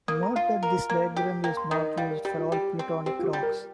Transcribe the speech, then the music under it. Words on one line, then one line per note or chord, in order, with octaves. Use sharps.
Note that this diagram is not used for all plutonic rocks.
A#3 D#6
A#5
F4 F5
A#4
A#3 A#5
G4
A#3 G5
C6
D#3 D#6
G3 F5
A#4
G3 G4
F4
G3 G4
C4
C4 G4
F4
G4
G3
A#4